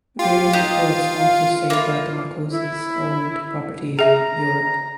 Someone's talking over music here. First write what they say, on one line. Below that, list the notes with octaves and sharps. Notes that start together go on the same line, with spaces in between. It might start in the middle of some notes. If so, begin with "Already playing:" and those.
Various reports also state that the Marcoses owned properties in Europe.
F4 G4
D#4 G4 D#5
F5
A#3 E4 F4
E4
G#4 E5 A#5